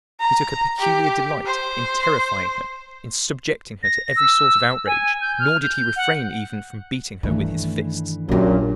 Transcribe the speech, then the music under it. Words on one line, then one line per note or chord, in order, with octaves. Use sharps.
He took a peculiar delight in terrifying her, in subjecting her to every sort of outrage; nor did he refrain even from beating her with his fists.
A#5
G4
C5
A#6
E6
G#5
G6
F6
G6
F#5
G2 D#3 E3 A3
A#1 F#2 A#2 A#3 D4 F#4 G4